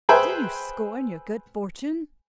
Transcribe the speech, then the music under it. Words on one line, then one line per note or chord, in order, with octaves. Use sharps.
Do you scorn your good fortune?
G#4 B4 C5 E5 G5 G#5